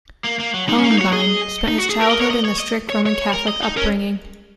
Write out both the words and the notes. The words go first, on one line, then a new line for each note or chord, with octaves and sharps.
Helnwein spent his childhood in a strict Roman Catholic upbringing.
A#3
A#3
F#3
G#3 D#4
C#4
A#3
D#4
F#4 C#5
G#4 D#5
D#4
F#4
G#4
A#4
D#5
C#5
D#5
C#5
D#5
C#5
C#5
A#4
D#5
D#4
C#4 A#4